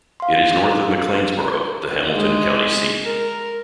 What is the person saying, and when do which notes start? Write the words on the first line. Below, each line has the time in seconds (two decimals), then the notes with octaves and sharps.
It is north of McLeansboro, the Hamilton County seat.
0.20 F5 C6
2.15 G#3
3.04 A#4